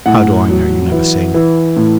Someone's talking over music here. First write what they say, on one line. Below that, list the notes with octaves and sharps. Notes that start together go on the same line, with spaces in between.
How do I know you never sing?
A2 F#5
F#3
E3
E3
A2